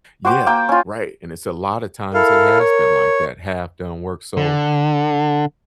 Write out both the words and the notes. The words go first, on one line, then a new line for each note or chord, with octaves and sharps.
Yeah. Right, and it's a lot of times it has been like that, half-done work, so
F#4 C5 G5 D6
A#3 G5
C#4 F4
E4 A4 A#4 F5
C#5
D3